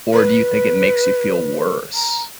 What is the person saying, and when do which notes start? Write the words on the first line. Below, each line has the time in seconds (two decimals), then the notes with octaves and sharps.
or do you think it makes you feel worse?
0.14 B4
1.95 A#5